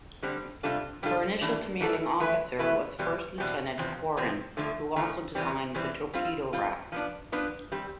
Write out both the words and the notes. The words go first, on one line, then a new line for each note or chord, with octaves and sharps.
Her initial commanding officer was First Lieutenant Koren, who also designed the torpedo racks.
D3 G3 C4
C3 G3 D4 F4 A4
C3 G3 D4 F4 A4
A2 E3 G3 D4 A4
A2 E3 G3 D4 A4
E3 A3 E4 B4
E3 A3 E4 B4
E2 B2 G3 C4
E2 B2 G3 C4
E2 C3 F3 C4
E2 C3 F3 C4
F2 D3 F3 A3
F2 D3 F3 A3
E2 C3 E3 G3 C4
E2 C3 E3 G3 C4
G3 C4 F4
G3 C4 F4
F3 B3 D4
F3 B3 D4
G3 C4 G4